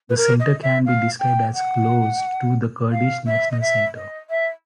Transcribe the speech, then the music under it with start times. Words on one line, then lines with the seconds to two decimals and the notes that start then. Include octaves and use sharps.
The center can be described as close to the Kurdish National Center.
0.10 B4
0.17 A#4
0.40 D#5
0.63 E5
0.86 F5
1.20 G5
1.54 F#5
2.92 F5
3.27 E5
3.51 D#5
3.61 E5
3.95 D#5
4.30 E5